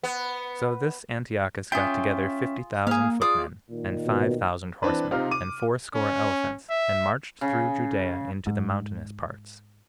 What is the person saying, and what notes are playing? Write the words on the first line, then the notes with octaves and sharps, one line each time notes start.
So this Antiochus got together fifty thousand footmen, and five thousand horsemen, and fourscore elephants, and marched through Judea into the mountainous parts.
B3
C#4 F4 G#4 E5 G5
A#3 G#4 F5
F4 G#4 D5 D#6
A#2 D#3
B2
E3 C4 D4 B4
C3 C4 D#4 F4 F6
D6 D#7
C#4
E5
C#3
G#2